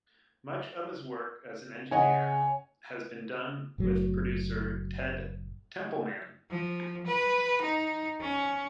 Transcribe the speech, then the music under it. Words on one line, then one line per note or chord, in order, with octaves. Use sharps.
Much of his work as an engineer has been done with producer Ted Templeman.
C#3 C#5 D#5 F#5 G#5
F#1 A2 F#3
F3
B4
D#4
C#4